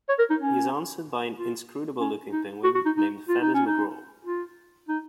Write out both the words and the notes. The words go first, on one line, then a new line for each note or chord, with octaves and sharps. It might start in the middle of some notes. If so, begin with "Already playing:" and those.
He is answered by an inscrutable looking penguin named Feathers McGraw.
C#5
A#4
D#4
C#4
F4
C#4
D#4
F#4
F#4
D#4
D#4
F4
D#4
C#4
D#4
F4
D#4